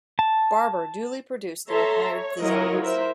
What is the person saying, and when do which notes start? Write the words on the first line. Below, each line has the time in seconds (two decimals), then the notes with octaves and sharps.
Barber duly produced the required designs.
0.19 A5
1.69 A4 C#5 E5 A5 A#5 C6
2.11 C#5
2.41 F#3 E4 F4 A#4 C#5 D#5
2.82 E4 A#4 C5 E5